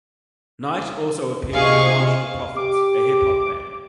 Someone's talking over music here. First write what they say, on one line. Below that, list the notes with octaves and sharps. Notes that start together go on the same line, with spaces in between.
Knight also appeared in The Marginal Prophets, a hip-hop band.
C3 D4 F4 G#4 D5 D#5 F5 C#6
G4 D6